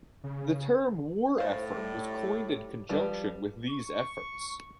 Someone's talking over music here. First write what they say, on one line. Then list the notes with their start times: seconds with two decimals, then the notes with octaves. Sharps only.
The term "war effort" was coined in conjunction with these efforts.
0.24 C#3
1.38 A2 C5 F5
1.77 G3
2.89 F3 G3 B4
3.70 C#6